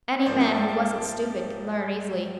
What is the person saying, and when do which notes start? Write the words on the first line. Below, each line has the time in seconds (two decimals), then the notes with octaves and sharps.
Any man who wasn't stupid could learn easily.
0.22 C#5
0.26 G#2 F3 A#3 C5 D5
0.40 D5 E5
0.55 G5 A5
0.69 G5 A5